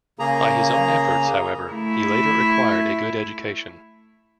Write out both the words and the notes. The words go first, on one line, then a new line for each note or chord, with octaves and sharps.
By his own efforts, however, he later acquired a good education.
C#3 A#3 G#4 A#5
A3 E4